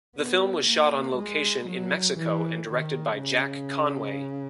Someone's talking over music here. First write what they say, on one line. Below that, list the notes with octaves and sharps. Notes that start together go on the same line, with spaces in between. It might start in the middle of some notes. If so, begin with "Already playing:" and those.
The film was shot on location in Mexico and directed by Jack Conway.
B3
A#3
G#3
F#3
E3
D#3
C#3